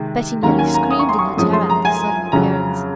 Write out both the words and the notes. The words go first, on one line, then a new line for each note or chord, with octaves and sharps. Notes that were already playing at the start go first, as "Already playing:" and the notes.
Betty nearly screamed in her terror at this sudden appearance.
Already playing: C3 D#3 G#3
D#2 D#3 F#3 A#3 C#4 A#5
G#5
A#5
D#6
C#6
C6
C#6
F#2 F3 G#3 C#4 D#6
C6
A#5
G#5
F2 C#3 F#3 C#4 A#5